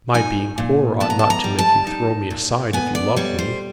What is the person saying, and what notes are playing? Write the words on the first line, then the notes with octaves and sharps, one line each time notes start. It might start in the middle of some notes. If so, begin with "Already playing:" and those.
My being poor ought not to make you throw me aside if you loved me.
D#4 G#5
A#2
B3 A5
A#5
A5
A#5
G3
A5
D#4
A#2
B3 G#5
D5
G3 C#5
C5